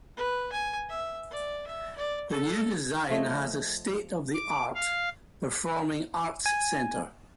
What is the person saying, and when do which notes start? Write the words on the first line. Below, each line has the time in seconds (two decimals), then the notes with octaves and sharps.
The new design has a state-of-the-art performing arts center.
0.16 B4
0.52 G#5
0.89 E5
1.30 D5
1.66 E5
1.96 D5
2.29 A4
3.10 F3 A3 C#5 D#5
4.34 D6
4.75 F5
6.46 G#5